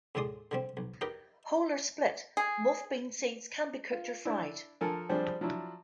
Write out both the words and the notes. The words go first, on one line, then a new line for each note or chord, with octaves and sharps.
Whole or split moth bean seeds can be cooked or fried.
D#2 A2 G#3 D5 C6 D#6
D3 G3 C4
B1
D#4 G4 A#4 B4 D#5 G5
G#4
F4
D4 E4
D3 F3 A4 A#4 G#5
F3 G3 C4 D4 G#4 C5
F3 F#3 D4 E4